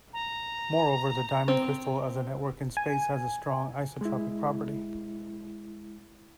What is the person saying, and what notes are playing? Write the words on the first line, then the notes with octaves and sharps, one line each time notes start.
Moreover, the diamond crystal as a network in space has a strong isotropic property.
A#5
C4
G#5
G#3 E4